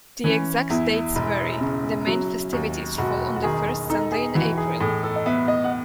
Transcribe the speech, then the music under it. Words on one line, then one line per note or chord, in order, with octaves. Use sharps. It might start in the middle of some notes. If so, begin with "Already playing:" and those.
The exact dates vary: the main festivities fall on the first Sunday in April.
E3 C#4
E2 E4
E1
C#3
F#3
D#2
E1 F#4
F#4
D#3 G#4
D#4 A4
G#4
E3 F#4
G#4
A2 G#4
A4
D#5
B3 E5
D#5
F#5